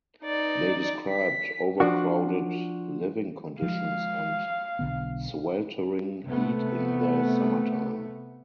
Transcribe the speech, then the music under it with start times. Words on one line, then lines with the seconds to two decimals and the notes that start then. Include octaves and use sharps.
They described overcrowded living conditions and sweltering heat in the summertime.
0.24 D#4 D5
1.10 B6
1.80 F3 D4 F#4
3.62 F3 G#3 F5
4.79 B1 D3 B3
6.25 C3 A3 B3